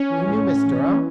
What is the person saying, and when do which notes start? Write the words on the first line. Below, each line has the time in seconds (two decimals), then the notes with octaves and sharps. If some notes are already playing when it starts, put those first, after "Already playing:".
"You knew Miss Durham?"
Already playing: C#4
0.10 E3
0.28 A2
0.47 A2
0.65 E3
0.84 E3